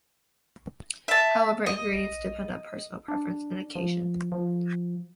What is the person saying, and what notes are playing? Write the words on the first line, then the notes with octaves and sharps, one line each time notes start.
However, ingredients depend on personal preference and occasion.
E5 A5
D#5
D4
F3
F3